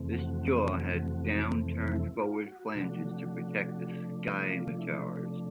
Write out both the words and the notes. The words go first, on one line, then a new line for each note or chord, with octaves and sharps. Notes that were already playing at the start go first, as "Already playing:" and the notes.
This jaw had down-turned forward flanges to protect the scimitars.
Already playing: F2 C3 E3 A3 C4
F#4
E4
F4
F#4
C3 F3 A3 D4
F4
E4